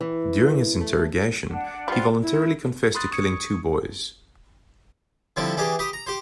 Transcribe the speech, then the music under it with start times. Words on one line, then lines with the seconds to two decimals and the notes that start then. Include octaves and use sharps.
During his interrogation, he voluntarily confessed to killing two boys.
0.01 E3
0.80 A3
1.49 D4 F#5
1.88 G3 C4 F4
2.22 E4
2.95 B5 C6 D#6 F#6 A6
3.11 C#6 D#6 G#6 C#7
5.36 D3 F3 G3 C4 E4
5.57 E3 D4 G4 G#4
5.79 G4 B5 D#6
5.93 A#5
6.07 G4 C5